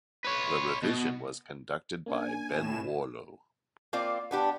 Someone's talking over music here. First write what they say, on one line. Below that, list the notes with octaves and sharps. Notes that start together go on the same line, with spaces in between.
The revision was conducted by Ben Warlow.
B4 C#5
B2
A#3 C#4 D4 G#5
A2 E7
A#3 C4 F4 D5
B3 D4 G4